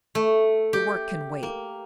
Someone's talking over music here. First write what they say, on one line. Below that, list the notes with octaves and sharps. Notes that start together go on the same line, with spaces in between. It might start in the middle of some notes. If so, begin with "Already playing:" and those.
The work can wait.
A3
G4
A#3